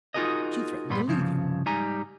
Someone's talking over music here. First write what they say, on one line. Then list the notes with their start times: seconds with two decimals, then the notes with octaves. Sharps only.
She threatened to leave him.
0.14 D#4 F4 F#4 G#4 A#4 D#5
0.90 G2 A#2 G3 B3 B5 C6
1.08 C2 G2 C#3 F3
1.66 G#2 G3 D#4 G4 G#5 A#5